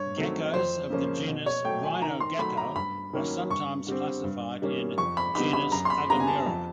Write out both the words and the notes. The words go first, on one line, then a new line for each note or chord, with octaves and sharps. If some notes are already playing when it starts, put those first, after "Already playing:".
Geckos of the genus "Rhinogecko" are sometimes classified in genus "Agamura".
Already playing: G2 C#5
D#3 F#3 A3 C4
F2 C5
C#3 F3 A#3 C#4
B2
C#5
F#3 A3 G5
G#5
D#3 A#5
C6
F#3 A3 B5
A#5
G2 B5
D#3 F#3 A#3 C#4
G2 C#6
D3 G3 C4
G2
D#3 G3 A#3 C#4
F2 C#6
B5
D3 G3 B3 D#4 B5
B5
F#2 A#5
C6
B5
D3 G3 B3 A#5
G#5
A5
F2